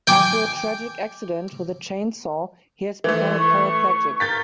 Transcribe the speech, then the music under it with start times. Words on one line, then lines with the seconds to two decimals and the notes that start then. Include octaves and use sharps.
After a tragic accident with a chainsaw he has become a paraplegic.
0.07 G5 G#5 D6
3.04 E3 A3 C5
3.39 C#6
4.20 A#4 G6 A6 B6